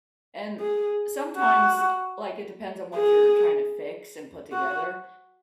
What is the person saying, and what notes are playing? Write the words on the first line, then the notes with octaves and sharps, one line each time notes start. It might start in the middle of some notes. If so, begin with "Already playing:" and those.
and sometimes, uh like it depends on what you're tryna fix and put together
G#4
F#4
G#4
F#4